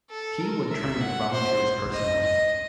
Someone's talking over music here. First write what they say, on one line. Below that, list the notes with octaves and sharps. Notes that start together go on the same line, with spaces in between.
He would train the volunteers personally.
A4
A#4
E5
F#5
C5
D#5
D#5